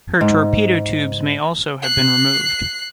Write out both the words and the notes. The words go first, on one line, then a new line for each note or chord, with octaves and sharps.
Her torpedo tubes may also have been removed.
G#2
F#6 C7